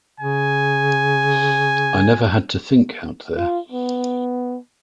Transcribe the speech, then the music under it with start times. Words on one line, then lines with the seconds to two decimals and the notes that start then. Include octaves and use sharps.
I never had to think out there.
0.20 C#3 G#5
3.37 F4
3.72 B3